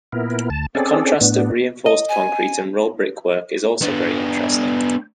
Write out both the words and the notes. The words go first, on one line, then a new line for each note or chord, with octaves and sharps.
A contrast of reinforced concrete and raw brickwork is also very interesting.
A#2 B3 E4 A#4
D2 A5
C4 C#4 G#4 A4 D5
A2 B3 D4
D#5
G#5
B3 D4